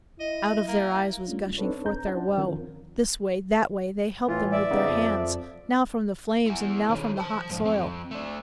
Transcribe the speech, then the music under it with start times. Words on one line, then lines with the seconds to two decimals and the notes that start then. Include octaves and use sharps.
Out of their eyes was gushing forth their woe; This way, that way, they helped them with their hands Now from the flames and now from the hot soil.
0.20 E4 D#5
0.68 A#3
1.26 G3 A3 C#4 D4 F4
1.58 C4 D4 D#4 A4 B4 C#5
1.86 A#5 G6
2.06 C#4 D4 E4 C5 F#5 A5
2.38 D#3 F3 C4 C#4 F4 A#4
4.28 A2 E3 F4
4.52 D5 E5
4.71 C#3 B3 D#4
4.88 F2 F3
6.46 E4 G#4
6.89 D#3 C#4
7.17 C5 A5
7.50 G#2 F3
7.65 F3 C4
8.11 A3 D4